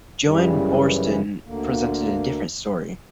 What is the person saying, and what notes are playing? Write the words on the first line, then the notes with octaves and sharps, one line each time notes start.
Joan Borsten presented a different story.
F#2 C#3 E3 G3
D2 D3 A#3